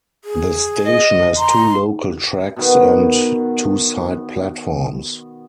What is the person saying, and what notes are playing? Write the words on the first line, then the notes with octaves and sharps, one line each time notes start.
The station has two local tracks and two side platforms.
G#4
D#5
A#5 C6
B2 D#3 B3